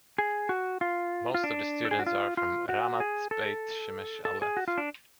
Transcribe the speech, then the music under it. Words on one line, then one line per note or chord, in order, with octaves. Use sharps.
Most of the students are from Ramat Beit Shemesh Alef.
G#4
F#4
F4
F4
D4
A4
G#4
F#4
F4
F4
F#4
G#4
A4
A4
G#4
F#4
F4
D4